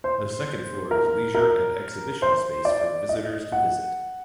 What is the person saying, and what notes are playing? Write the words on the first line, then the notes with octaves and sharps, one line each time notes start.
The second floor is leisure and exhibition space for visitors to visit.
C5
A#4
A#4
C5
D5
D#5
F#5